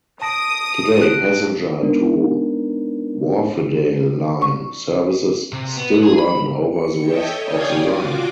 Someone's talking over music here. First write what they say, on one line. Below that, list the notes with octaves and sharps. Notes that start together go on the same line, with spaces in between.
Today passenger to Wharfedale line services still run over the rest of the line.
A5 D#6 A#6 D7
F#6 D7
G#3 B3 D4 D#4 A#4
C#6
C3
B3
G#4
B5
C#7
A4 C#5 D#5 E5 G5
C#5 D5 F5 G5 G#5 D#6
F4 F#4 D6